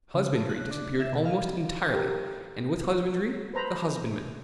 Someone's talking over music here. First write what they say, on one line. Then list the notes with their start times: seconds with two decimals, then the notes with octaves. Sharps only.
Husbandry disappeared almost entirely, and with husbandry the husbandman.
0.14 C#3
0.35 A3
0.49 F#6
0.71 D4
1.00 E5
1.13 B2
1.25 F5
1.94 G4 A4 A#4
3.54 B4 C5 A#5 B5